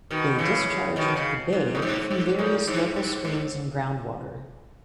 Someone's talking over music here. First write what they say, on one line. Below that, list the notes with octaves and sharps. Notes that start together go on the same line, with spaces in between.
They discharge into the bay from various local streams and groundwater.
B2 D#3
C#3 E3
B2 D#3
C#3
G#2
A2
G#2
G#2
A2
G#2
G#2
G#2